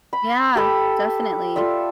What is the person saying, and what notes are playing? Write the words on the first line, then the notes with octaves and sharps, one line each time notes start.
Yeah, definitely.
B5
G4 A4 B5
F4 A4 D5 E5